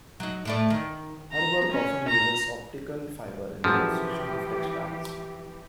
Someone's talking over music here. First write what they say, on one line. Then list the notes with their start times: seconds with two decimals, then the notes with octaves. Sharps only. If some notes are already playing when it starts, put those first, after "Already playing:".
Her work often uses Optical Fiber in the construction of textiles.
0.20 F#3 D#4
0.45 A2 A3 D5
0.70 D#3
1.33 A#5
1.72 C#4
2.08 A#5
3.64 F#2 E3 F3 G#3 G4 E6